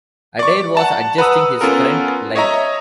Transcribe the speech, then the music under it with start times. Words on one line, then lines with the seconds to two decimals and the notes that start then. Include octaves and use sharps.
Adair was adjusting his front light.
0.39 D5 C#6
0.75 F#5 A5 A#5
1.18 B4 F#5 A#5 D#6 E6
1.61 B3 C#4 F4 A4 A#4
2.36 C#5 D#5 E5 A#5